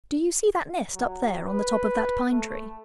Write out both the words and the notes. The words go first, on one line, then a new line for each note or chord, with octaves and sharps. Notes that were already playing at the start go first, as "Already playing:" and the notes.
Do you see that nest up there on the top of that pine-tree?
F#3
B4
A3